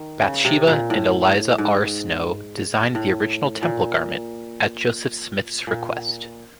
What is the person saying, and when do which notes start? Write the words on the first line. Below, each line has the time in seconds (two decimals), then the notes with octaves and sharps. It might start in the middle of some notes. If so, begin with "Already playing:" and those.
Bathsheba and Eliza R. Snow designed the original temple garment, at Joseph Smith's request.
Already playing: D#3
0.22 C#3
0.45 C3
0.67 A#2
0.90 A2
1.58 G#2
2.95 A2
3.63 A#2
5.67 A#2